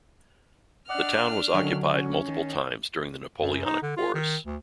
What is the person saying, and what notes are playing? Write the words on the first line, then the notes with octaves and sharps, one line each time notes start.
The town was occupied multiple times during the Napoleonic Wars.
D4 D5 D#5 F#5 F6
D3 D#3 F#3 C#4 F#4
C#4
D#3
F#2
D#4
D3
F4
D#3
D2